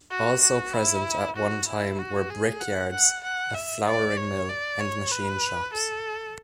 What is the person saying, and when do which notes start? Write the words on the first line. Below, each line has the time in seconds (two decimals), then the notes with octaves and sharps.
Also present at one time were brickyards, a flouring mill, and machine shops.
0.11 F#4
0.42 F#4
0.73 E4
1.36 F#4
1.67 E4
1.99 F#4
2.30 G#4
2.61 F#5
2.92 F#5
3.24 F#5
3.54 E5
3.86 D5
4.17 C#5
4.49 D5
4.80 C#5
5.11 B4
5.74 A4